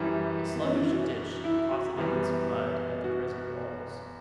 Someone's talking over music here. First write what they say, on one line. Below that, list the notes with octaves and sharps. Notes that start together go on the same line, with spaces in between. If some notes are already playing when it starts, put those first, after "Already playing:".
A sluggish ditch deposited its mud at the prison walls.
Already playing: F#2 E3 G3 E4
B3
C#4
D4
E4
F#4
E4
F#4
F#2 E3 G3 B3
F#4